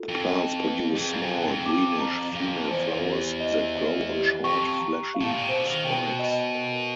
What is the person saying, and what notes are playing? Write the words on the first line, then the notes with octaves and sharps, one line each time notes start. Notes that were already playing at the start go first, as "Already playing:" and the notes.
The plants produce small, greenish, female flowers that grow on short, fleshy spikes.
Already playing: F4 A4
F2
D#5
B4
F2 G#4
F#2
F2 F4
F2
D6
A#5
F2 F5
E2 C5
G4
D#5
B4
G4
F2 C#6
A#5
F5
A2
A#2
C3
B2 C5
D3
D#3
B2 G5
D#5
A#4